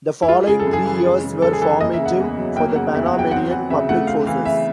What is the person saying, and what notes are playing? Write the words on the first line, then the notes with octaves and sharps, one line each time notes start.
The following three years were formative for the Panamanian Public Forces.
E4
G#3 F4
C#3 G#4
A4
F#2
G#4
E3
G#3
C#3
F#2 A4
G#4
E3 A4
A#3 D#5
E5
C#3
F#5
E2
F#3
A#3 G5
C#3 F#5
E2 E5
F#5
F#3
G5
C4 F#5
E3 F#5
C#3 E5
A3 F#5
C4 F5
E3 F5
C#3 E5